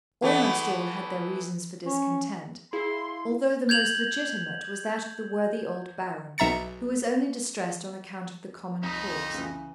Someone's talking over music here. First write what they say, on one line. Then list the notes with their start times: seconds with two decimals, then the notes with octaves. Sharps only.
Almost all had their reasons for discontent, although the most legitimate was that of the worthy old Baron, who was only distressed on account of the common cause.
0.22 E3 A3 B3
1.86 C#4
2.73 E4 G#4 F5 C6
3.69 G6 G#6 F7 F#7
6.38 B1 E5 A#5 A6 C#7
8.83 C2 F2 D#4 A#5 D#6
9.34 C#3 E3